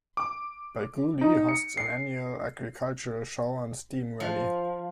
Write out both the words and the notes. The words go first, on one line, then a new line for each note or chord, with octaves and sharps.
Belgooly hosts an annual "agricultural show" and "steam rally".
D6
D#4
C#7
C7
F3